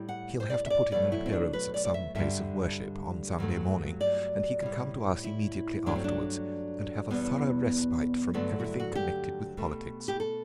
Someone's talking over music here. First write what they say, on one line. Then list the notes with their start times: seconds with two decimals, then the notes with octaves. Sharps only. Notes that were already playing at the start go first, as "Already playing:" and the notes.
He’ll have to put in an appearance at some place of worship on Sunday morning, and he can come to us immediately afterwards and have a thorough respite from everything connected with politics.
Already playing: A2 G3
0.09 F#5
0.40 C5
0.50 D5
0.66 E5
0.70 D5
0.91 B2 F#3 A3 D5
1.12 E4
1.26 C4
1.32 D4
1.53 B4
1.74 D5
1.85 D5
1.94 E5
2.15 G2 D3 G3 E5
3.38 G2 F#3 A3
4.01 D5
4.62 A2 G3
5.24 E4
5.86 G2 F#3 A3 D4
5.96 C4
6.04 D4
7.10 E2 B2 G3 B3
8.34 G2 D3 F#3 A3 B3
8.60 F#4
8.64 E4
8.80 F#4
8.95 G4
9.57 B2 A3
10.08 G4
10.20 A4